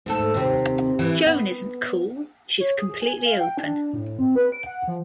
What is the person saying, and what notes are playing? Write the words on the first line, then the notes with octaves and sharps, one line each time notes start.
Joan isn't cool-she's completely open.
G#2 A3 A4
D#2 C3
E3
B3
C#5
G#4
G#5
F5
G5
D4
A2
C4
B4
D7
F#5
F3